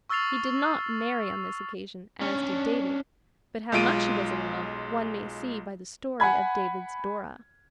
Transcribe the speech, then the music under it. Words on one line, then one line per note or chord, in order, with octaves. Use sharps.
He did not marry on this occasion, as did David, but how much he was in love one may see by the story of David's Dora.
C#6 E6 F6 A6 C7 F7
C#4 D4
B1 G#3 F4 D7 D#7
F#5 G#5 B5 G#6